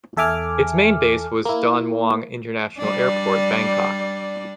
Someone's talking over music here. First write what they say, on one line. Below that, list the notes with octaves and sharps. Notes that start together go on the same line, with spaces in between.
Its main base was Don Mueang International Airport, Bangkok.
E2 A4 E5 G#5 D6 F6
A#3 E4
G3 D4